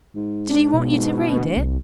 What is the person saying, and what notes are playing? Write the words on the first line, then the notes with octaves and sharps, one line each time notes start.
"Did he want you to read it?"
G#2
D4
B2
G#2
D2
C2